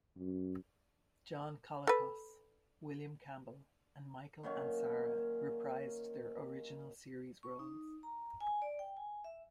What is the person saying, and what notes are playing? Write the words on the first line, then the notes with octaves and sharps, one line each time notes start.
John Colicos, William Campbell, and Michael Ansara reprised their original series roles.
F#2
A4 B4
A#2 D#3 F#3 C#4
C#6
D#4
A#5
G#5
D5
G5
G#5
E5